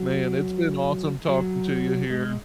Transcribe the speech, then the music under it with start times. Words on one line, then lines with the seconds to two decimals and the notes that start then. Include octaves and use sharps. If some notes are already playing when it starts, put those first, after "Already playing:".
Man, it's been awesome talking to you here,
Already playing: F#3
1.28 F#3
2.10 G#3